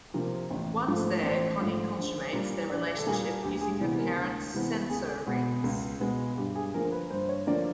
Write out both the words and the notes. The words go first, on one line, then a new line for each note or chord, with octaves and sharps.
Once there Connie consummates their relationship using her parents "senso-rings".
C3 F3 A#3
A1
G#2 F3 A3
A1 C5
G#2 F3 A3
A#1
A#2 G3 A#3
A#1 D5
A4
A#2 G3 A#3 G#4
D2 G4
G#4
C3 E3 G#3 B3 G#4
A#4
D2
C3 E3 G#3 B3
C#2 G#4
B2 G#3 B3
C#2
B2 G#3 B3
G2 G4
G#4
D3 F3 A#3 A#4
B4
G2 C5
C#5
D3 F3 A#3 D5